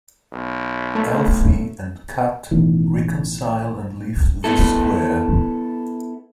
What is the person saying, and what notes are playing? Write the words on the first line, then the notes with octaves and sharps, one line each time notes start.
Alfie and Kat reconcile and leave the Square.
B1
A3
A1 B2 D#3 E3
B3 E4 A4